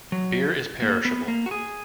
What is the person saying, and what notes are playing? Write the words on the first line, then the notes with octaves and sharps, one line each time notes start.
Beer is perishable.
F#3
A#3
B3
A#3
F#4
G#4